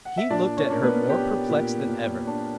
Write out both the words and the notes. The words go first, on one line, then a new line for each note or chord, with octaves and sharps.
He looked at her more perplexed than ever.
F#5
E5
A#2 D4 D5
C#4 C#5
D4 A#4
B3 B4
A#3 G4
A#2
A#2
D4